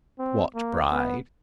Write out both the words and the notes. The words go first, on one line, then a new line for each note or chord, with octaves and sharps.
What bride?
C4
A#3
B3